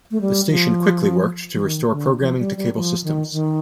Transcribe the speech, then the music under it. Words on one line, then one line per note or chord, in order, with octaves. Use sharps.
The station quickly worked to restore programming to cable systems.
A3
G3
F3
F3
D#3
D3
F3
G3
G3
F3
D#3
D#3